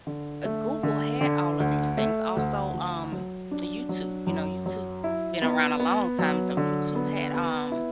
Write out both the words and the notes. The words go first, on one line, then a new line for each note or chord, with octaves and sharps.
uh, Google had all of these things. Also, um, YouTube, you know, YouTube been around a long time, so YouTube had, um,
D3
A3
D3
D3
D2
A3
D2
D2
F#3
D4
F#3
F#2
F#3
E4
B3
B3
F#3
D3
B3
B3
E4